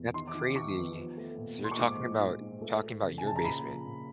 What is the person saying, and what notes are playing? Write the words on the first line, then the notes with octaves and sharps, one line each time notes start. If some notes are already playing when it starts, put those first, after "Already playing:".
That's crazy. So you're talking about you're talking about your basement?
Already playing: E2
D#3 C6
D6
D#3
D6
D#3 C#6
B3
F3
A3
A#2
A#2
C6
C#6
G#2 D6
F3
G#2
G#2
A3
A3
C#3
G#5
C#3 A5
A#5
A#2 B5
F3
A#2